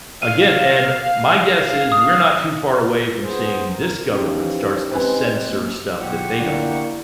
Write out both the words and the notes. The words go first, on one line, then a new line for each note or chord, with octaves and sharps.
again and my guess is we're not too far away from seeing this government starts to censor stuff that they don't like.
F5 D#7
D#6
B3 G#4 C5
A#4
E3 F3 C#4 D#4 G4
G#3 C4 B4 G#5
A#3
B1 F4 G4 F#5 C#6
D3 A#3 E4 D5